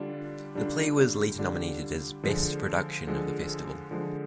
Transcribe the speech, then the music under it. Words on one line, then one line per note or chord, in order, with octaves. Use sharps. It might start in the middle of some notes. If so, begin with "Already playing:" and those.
The play was later nominated as Best Production of the festival.
Already playing: D3 G3 D4 F4
D3 G3 D4 F4
D3 G3 D4 F4
D3 F3 G#3
D3 F3 G#3
D3 F3 G#3